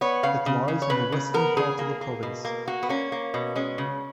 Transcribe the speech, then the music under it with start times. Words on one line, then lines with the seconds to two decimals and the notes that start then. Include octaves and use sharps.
It lies on the western part of the province.
0.01 B3 C#5
0.23 C#3 F5
0.46 C#3
0.68 C#3
0.82 C#5
0.90 C#3 B4
1.12 C#3
1.34 B3 A#4
1.57 C#3 G#4
1.79 A#3
2.01 A#3
2.23 B2
2.45 A#3
2.68 A#3 F#4
2.83 B3
2.89 A#3 C#4
3.12 A#3
3.34 B2
3.55 G#3 C#4
3.78 C#3